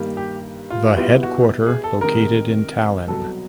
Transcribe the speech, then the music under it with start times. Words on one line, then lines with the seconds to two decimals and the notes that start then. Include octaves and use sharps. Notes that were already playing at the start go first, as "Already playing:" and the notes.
The headquarter located in Tallinn.
Already playing: G2 D#3 G3 A#3
0.17 G4
0.70 F4
0.96 B2 G3 B3 E4 F4 G4
1.23 F#4
1.67 G#4
1.84 A4
2.01 C3 D#3 G#3 A#4
3.07 C2 B2 F#3 A4